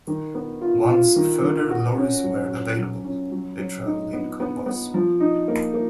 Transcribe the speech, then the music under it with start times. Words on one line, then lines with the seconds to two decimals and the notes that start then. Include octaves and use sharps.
Once further lorries were available, they travelled in convoys.
0.07 D#3
0.34 B3
0.61 F4
0.89 F4
1.16 D#3
1.42 D#3
1.70 F#4
1.97 C#4
2.23 F#3
2.50 F#4
2.77 F#3
3.04 C#4
3.31 F#3
3.58 F#3
3.85 D#4
4.13 B3
4.40 B3
4.66 B3
4.94 F3
5.20 D#4
5.48 A#3
5.74 A#3